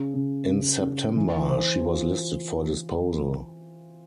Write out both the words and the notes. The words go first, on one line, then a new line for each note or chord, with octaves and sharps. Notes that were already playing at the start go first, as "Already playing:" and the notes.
In September she was listed for disposal.
Already playing: C#3
C#3
C#3
C#3
E3
C5
F4